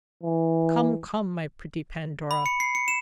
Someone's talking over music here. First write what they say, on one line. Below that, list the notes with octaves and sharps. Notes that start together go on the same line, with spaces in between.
Come, come, my pretty Pandora!
E3
B5
C#7
C7
C#7
E7